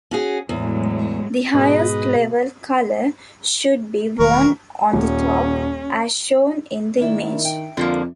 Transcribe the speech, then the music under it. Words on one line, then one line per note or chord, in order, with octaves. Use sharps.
The highest-level color should be worn on the top, as shown in the image.
C#4 F#4 G#4
E2 A2 F#3 G#3
G#2 B2 G#4 B4 D#5
E1 D#3 A3 A#4 C#6
D#1 C#4
D#3 A#3 D4 E4
G5
F2 D3 F3 A#3 F4